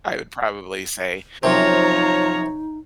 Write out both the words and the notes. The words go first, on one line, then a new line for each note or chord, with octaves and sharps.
I would probably say
F#2 C3 F3 D#4 C#5 A#5